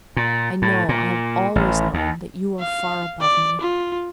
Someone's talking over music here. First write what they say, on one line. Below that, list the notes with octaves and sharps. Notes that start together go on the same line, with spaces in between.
I know--I have always known--that you are far above me.
A#2
A2
A#2
A1
D#2
F5
D5
F4